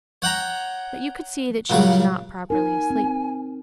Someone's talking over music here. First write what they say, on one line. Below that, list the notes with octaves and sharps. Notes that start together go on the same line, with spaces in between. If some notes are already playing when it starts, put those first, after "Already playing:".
But you could see that she was not properly asleep....
C#5 F#5 G5 A#5
A#2 C#3 F#3 G3 C#6
D#4 A#4 G#5
C4